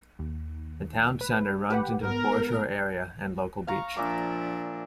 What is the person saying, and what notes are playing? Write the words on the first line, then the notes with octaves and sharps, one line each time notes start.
The town centre runs into the foreshore area and local beach.
D#2
B4
G4 B4 F#5
G#2 B3 A#4
F5 A#5 C#6
A#2 F3 D4 E5 D6